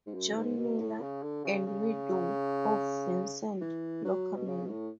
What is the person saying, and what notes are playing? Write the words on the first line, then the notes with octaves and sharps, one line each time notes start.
John Miller and widow of Vincent Loockerman.
G#2
F#2
G#2
B2
A2
C#3
D3
C#3
C#3
E3
F#3
B2
C#3
B2
A2